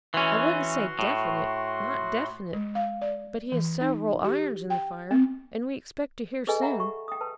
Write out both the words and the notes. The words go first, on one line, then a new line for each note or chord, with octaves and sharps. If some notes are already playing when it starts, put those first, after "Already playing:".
"I wouldn't say definite, not definite, but he has several irons in the fire and we expect to hear soon."
E3 C#4 F#4 C6
A2
G#3
F5
D5
E3
D#4
G4
G5
C4
G#4 A4 B4 D#5 G#5
E5 F#5 G5 A#5 B5
C#6
G5 D#6
B4 A5